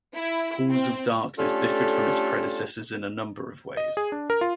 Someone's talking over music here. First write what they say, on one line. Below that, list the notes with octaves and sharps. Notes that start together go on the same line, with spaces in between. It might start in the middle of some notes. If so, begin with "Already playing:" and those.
"Pools of Darkness" differed from its predecessors in a number of ways.
E4
C4
A3 C#4 D4 F4 G4 A4
D#5
G#4
D4
A#4
F4